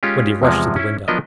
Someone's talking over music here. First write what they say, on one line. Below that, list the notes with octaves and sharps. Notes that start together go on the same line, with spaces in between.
Wendy rushed to the window.
G#3 C#4 F4 G4
E2 C3 F3 G#3
C#4 E4
F3 F#3 B3 D4 A#4 D#5